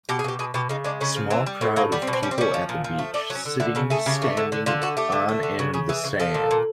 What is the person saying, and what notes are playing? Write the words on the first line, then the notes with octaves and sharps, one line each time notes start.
Small crowd of people at the beach, Sitting standing on in the sand.
B2 G4
G#4
B2 G4
B2 G#4
B2 G4
C#3 D#4
G#3 D4
C#3 C#4
F3
E3 C4
G3
A2 C4
A2 A#3
G3 B3
C4
B2
C4
G3 C#4
C4
G3 C#4
F3
A#2
F3
A3
A3 D4
F#3
C#4
D3
D3 E4
C#3 A4
A3 G#4
C#3 G4
A3
D3
D3
D3 F4
A3 F#4
A3 G4
D3
A3
D3
C#3 F#4
C#3 G#4
E3 G#4
C#3
F3 A4
A#2
A#2